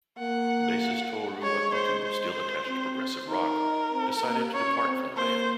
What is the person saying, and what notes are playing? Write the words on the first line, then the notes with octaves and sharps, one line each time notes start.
Bassist Tohru Akutu, still attached to progressive rock, decided to depart from the band.
A#3 F#5
G#3 C#5
C5
C5
C4
D#4 A#4
C4
A#3
C#4 C#5
C4
A#3 C5